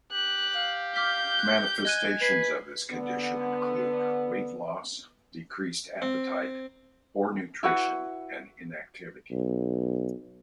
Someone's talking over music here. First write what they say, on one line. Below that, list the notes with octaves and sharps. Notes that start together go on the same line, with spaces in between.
Manifestations of this condition include weight loss, decreased appetite, poor nutrition, and inactivity.
G4 F#6
F5
D6 F6 G6 B6
F#6
D#5 G#5 F#6 D#7
B4 G#6 C7 F#7
D3 B3
C4
E4 F#4 B4 F#5
B1